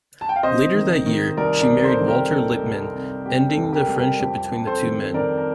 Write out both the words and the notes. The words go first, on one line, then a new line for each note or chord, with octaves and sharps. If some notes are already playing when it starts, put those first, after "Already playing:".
Later that year, she married Walter Lippmann, ending the friendship between the two men.
A5
G5
F5
C3 C5 D#5
D#3
D#3
C2 A#4 D5
A#4 D5
C3
A4 C5
D#3
G4 A#4
D#3 A4
C2
C3
C3 G4
A4
C2
G4 A#4
C2
G4 A#4
F2 G4
F2
A4 C5
D#3
D#3 A#4 D5
A#4